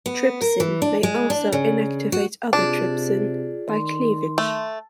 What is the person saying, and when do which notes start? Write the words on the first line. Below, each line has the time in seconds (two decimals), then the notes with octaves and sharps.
Trypsin may also inactivate other trypsin by cleavage.
0.06 B3
0.41 A#4
0.60 E3
0.82 D4
1.03 G#3
1.30 D4
1.53 C#3
2.12 F#4
2.53 C3 D4 F4 G#4
3.69 D#3 C6
4.38 A3